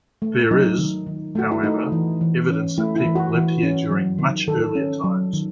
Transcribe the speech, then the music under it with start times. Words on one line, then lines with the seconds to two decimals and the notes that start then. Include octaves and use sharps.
There is, however, evidence that people lived here during much earlier times.
0.22 A3
0.51 F#3 D#4
0.78 D#3
1.06 D#3
1.35 A3 F#4
1.52 E4
1.63 A3 D#4
1.92 E3
2.21 E3
2.49 C#4
2.78 A3 E4
2.96 E4
3.05 E3
3.15 F#4
3.35 E3
3.63 C#4
3.91 F#3
4.19 D#3
4.47 D#3 A4
4.75 C#4
5.04 F#3
5.33 D#3